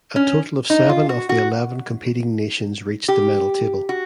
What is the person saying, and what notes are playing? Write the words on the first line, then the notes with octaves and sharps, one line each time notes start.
A total of seven of the eleven competing nations reached the medal table.
C#4
D#4
F4
F#4
F#4
G4
F#4